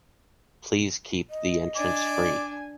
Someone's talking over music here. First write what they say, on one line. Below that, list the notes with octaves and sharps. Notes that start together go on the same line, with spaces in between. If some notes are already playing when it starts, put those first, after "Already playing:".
Please keep the entrance free.
D#5
D4 D5 G#5 D6